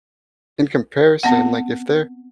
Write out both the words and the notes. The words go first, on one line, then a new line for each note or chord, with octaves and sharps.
in comparison, like if they're
B3 C4 F#5